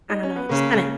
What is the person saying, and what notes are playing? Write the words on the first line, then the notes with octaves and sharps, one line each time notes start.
I don't know, it just kinda
D#4
C#4
B3
C#3 A#3